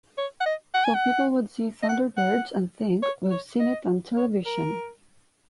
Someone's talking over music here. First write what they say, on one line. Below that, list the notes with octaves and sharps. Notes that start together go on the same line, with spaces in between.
So people would see "Thunderbirds" and think, 'We've seen it on television.
C#5
F#5
D#5
F#5
G#5
F#5
D#5
F#5
F#5
C#5
C#5
D#5
C#5
A#4